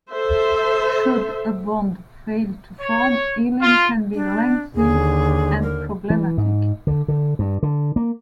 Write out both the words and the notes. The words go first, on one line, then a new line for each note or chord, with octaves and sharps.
Should a bond fail to form, healing can be lengthy and problematic.
A4 C5 E5
C#5
F4
D4
D#2 D3 G#4
A#4
E3
G#2
D3
D3
G2
D3
A#3